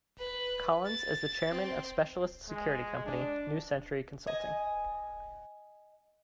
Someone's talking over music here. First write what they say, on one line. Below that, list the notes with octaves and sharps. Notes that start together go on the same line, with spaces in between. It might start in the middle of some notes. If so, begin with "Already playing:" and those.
Collins is the Chairman of specialist security company, New Century Consulting.
B4
A6
C4
G#3
D4
D#5 G#5